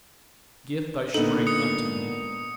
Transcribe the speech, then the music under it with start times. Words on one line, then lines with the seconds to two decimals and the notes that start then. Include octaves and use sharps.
Gift thy strength unto me.
1.14 A#2 D3 B3 D#4 A4
1.47 D#6 C#7